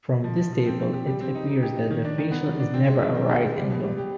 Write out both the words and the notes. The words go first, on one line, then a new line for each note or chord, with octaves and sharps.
From this table it appears that the facial is never a right angle.
F3
F3
F3
C4
C4
G4
G3
C4
D#4
D#4
G4
D#4
D#3
D4
D#3
B3
D#3
D4
C4
G#3
D#3
C4
G4
G#3
G3
B2
G3
G4